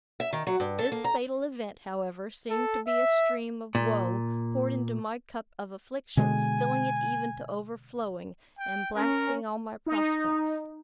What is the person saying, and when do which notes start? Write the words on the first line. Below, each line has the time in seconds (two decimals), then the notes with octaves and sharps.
This fatal event, however, seemed to be a stream of woe poured into my cup of afflictions, filling it even to overflowing, and blasting all my prospects.
0.20 E5
0.33 D#3
0.47 F#3
0.60 G2
0.79 A4
0.92 A#3
1.04 A#5
2.50 A4
2.87 E5
3.75 A#2
6.17 B2 D3 G#3 G#5
8.59 G5
8.96 C#4 A#4
9.86 D#4